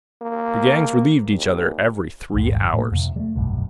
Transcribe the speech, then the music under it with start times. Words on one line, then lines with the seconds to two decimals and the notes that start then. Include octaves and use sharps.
The gangs relieved each other every three hours.
0.22 A#3
1.30 D#2
2.34 A#1 D#2 G#2
2.59 G1
2.73 A2 A#3
2.91 F2 C3
3.16 G3 A3
3.35 F1 B1 G2